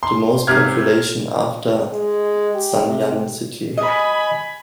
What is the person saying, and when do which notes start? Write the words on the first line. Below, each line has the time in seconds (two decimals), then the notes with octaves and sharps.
The most population after Zanjan city.
0.03 C6
0.47 G#1 C3 F6 G#6
1.91 G#3
2.55 G4
2.87 C3
3.77 D#5 G#5 B5